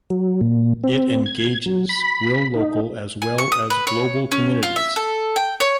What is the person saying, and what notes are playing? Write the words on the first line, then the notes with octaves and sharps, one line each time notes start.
It engages will local as well as global communities.
F#3
A#2
C4
G#6
F#3
B5
D#4
G#5
C#6
D#6
B4
C#5
C#4
F4
E5
A4
G5
C#5